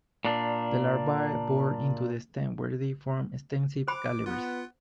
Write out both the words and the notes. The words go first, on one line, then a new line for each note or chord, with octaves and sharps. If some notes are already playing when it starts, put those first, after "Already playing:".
The larvae bore into the stem where they form extensive galleries.
A#2 D4
C5 B5 D6
B3 F4 F#5